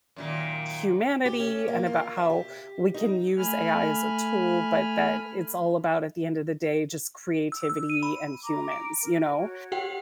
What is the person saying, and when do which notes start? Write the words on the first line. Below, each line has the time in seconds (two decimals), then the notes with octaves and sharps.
humanity and about how we can use AI as a tool, but that it's all about, at the end of the day, just creativity and humans, you know,
0.16 F#2 A#2 D#3
1.25 G4
1.40 C#4
1.68 A#3
1.87 F4
2.17 E5
2.30 G4
2.94 D#4
3.37 A3 G#5 B5 F6
7.52 E6
7.70 E6
7.90 D#7
8.03 B5
8.44 A#5 D6
8.72 D7
9.01 A#4
9.38 F#4 C#5
9.72 G4 F#5 G5